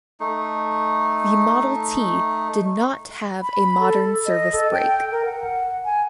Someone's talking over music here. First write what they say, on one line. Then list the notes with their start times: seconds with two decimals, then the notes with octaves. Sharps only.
The Model T did not have a modern service brake.
0.20 A3 D#4
3.42 B5
3.80 A4
4.26 D#5
4.52 A4
4.73 G5
5.12 A#4
5.25 F#5
5.85 G#5